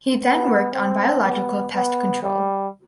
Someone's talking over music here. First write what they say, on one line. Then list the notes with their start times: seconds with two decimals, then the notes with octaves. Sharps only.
He then worked on biological pest control.
0.24 B3
0.74 C4
1.23 B3
1.74 B3
2.23 G3